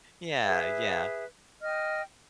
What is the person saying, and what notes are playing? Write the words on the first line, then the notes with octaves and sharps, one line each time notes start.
Yeah. Yeah.
G#4 B4 E5
D#5 G5 F6